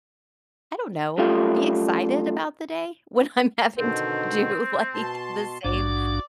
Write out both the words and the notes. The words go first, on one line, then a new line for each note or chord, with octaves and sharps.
I don't know, be excited about the day, when I'm having to do, like, the same
F#2 G3 A3 F4
B2 D3 D#3 C4
B2 A5 C6
A#1 G#2 D4 F#4 D5